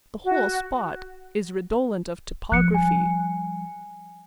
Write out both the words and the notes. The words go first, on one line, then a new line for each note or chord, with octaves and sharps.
The whole spot is redolent of typography.
F#4
F3 G3 F#6 C#7
G#5